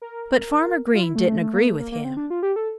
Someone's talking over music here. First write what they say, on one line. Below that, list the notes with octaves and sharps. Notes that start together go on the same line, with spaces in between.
But Farmer Green didn't agree with him.
A#4
F4
E4
A3
A3
A3
A#3
A3
A#3
A#3
C4
D4
F4
G4
A4